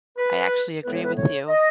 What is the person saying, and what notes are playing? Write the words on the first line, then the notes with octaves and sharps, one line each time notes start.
I actually agree with you.
B4
A2 G#3 B3 B4
C#5
B4
C#5
D#5